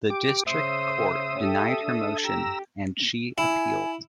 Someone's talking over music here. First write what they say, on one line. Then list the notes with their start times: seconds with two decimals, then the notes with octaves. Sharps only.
The district court denied her motion, and she appealed.
0.10 G4 D6
0.47 C#3 C5 E5 D#6
1.39 G4 A4
1.84 D4 A4
2.24 G4 A#5 E6
3.38 E4 G#5